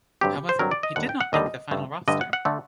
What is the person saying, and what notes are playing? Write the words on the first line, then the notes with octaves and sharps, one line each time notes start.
However, he did not make the final roster.
G2 D3 F#3 C4 G4
C5
G2 D3 F#3 C4 A#4
D5
D#5
D#2 D3 G3 F#5
G5
F#5
D#2 D3 G3 D#5
G2 D3 A3
G2 D3 A3 D#5
F#5
F#5
D3 A3